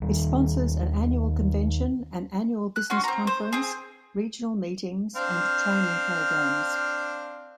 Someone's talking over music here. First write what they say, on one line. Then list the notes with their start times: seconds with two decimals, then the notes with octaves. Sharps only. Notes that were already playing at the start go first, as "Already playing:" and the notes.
It sponsors an annual convention, an annual business conference, regional meetings, and training programs.
0.02 D#2 D#3 G3
2.76 F#6
2.90 C#4 F#4 C6
3.04 C4 A#5
3.27 C5
3.53 C4 G#4
5.16 C4 D4 F5